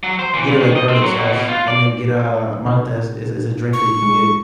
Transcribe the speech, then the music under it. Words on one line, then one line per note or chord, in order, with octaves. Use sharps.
Get it with garlic sauce and then get a Maltas, is is a drink that you can get.
F#3
C5
E3
A#2
D#3
D#5
C4
F#3
B2
B2
F4
D5
C3
C#6
G#3